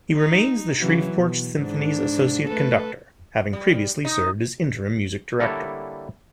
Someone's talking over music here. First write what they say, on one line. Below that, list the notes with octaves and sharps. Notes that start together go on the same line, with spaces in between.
He remains the Shreveport Symphony's Associate Conductor, having previously served as Interim Music Director.
D#4
C#3 E3 F#3
B2
G#2 D4
A3 A4 B4
G3
D#4
D3 G3 A#3 E4 A4 C#5